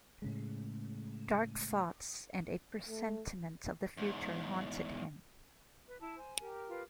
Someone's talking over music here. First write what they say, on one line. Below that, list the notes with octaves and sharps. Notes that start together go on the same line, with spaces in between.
Dark thoughts and a presentiment of the future haunted him.
A2 C#3 G#3
A3
E2 G#2
B4
E4 A5
C5 G#5
G4 A#4
F4 B4